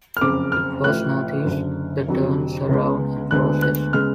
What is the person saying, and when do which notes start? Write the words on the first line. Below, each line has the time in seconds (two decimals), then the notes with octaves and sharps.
It flows northeast, then turns around and flows west.
0.17 F6
0.21 F#1 F2 C#3 D6
0.52 F6
0.84 A1 A2 F3 F#6
1.45 F#1 F#2 D3
2.07 F1 F2 D3 F#3
2.69 C#2 C#3 G#3 B3
3.31 D2 D3 G#3 B3 F#6
3.62 F#6
3.93 C#3 G#3 B3 F6